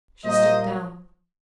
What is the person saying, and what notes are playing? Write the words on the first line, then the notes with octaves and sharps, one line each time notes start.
She stooped down.
A#2 G3 A#3 C5 D#5